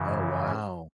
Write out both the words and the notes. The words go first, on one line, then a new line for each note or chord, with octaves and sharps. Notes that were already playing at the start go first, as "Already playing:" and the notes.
Oh wow.
Already playing: F#2 C#3 E3